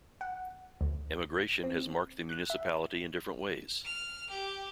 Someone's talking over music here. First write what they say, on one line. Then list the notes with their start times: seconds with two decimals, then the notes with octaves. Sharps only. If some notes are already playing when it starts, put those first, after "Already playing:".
Emigration has marked the municipality in different ways.
0.21 F#5
0.81 D2
1.64 C4
2.29 F#6
2.50 E5
3.84 F6
4.30 G4